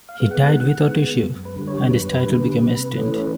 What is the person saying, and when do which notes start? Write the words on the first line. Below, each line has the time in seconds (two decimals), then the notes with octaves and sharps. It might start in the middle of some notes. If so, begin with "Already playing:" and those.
He died without issue and his title became extinct.
0.09 F5
0.20 G#3 B3
0.31 F#5
0.53 D#3
0.88 G#3 B3
1.22 F#2
1.45 B4
1.56 D3 G3
1.68 C#5
1.90 F#2 B4
2.24 D3 G3
2.59 C3
2.93 E3 A3 C#4